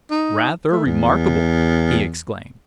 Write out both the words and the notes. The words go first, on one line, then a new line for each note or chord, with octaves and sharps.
"Rather remarkable!" he exclaimed.
D#4
A3
E2